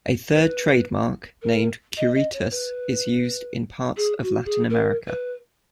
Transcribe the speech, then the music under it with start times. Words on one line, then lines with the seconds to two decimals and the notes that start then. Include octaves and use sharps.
A third trademark, named "Curitas", is used in parts of Latin America.
0.33 B4
1.41 A#4
1.96 D#5
2.14 D#5
2.32 C#5
2.51 B4
3.96 G#4
4.22 F#4
4.45 G#4
4.69 A#4
5.07 B4